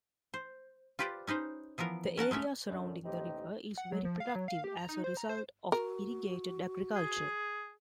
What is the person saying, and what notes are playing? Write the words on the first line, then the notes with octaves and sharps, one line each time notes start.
The area surrounding the river is very productive as a result of irrigated agriculture.
C5
F4 G4 B4 C5 D5
C#4 D#4 B4 C5
E3 F3 B3 A#4
C#4 A#4 F#5 A5
G#3 A3 C#4 E5
F#2 D3
A1 D#2 C3 C4 D#4 G4
F#5
F#3
F3
F5
F#3
F5
G4
A#5
D#4
C5
A#5
C5
F#4 A#4
G#4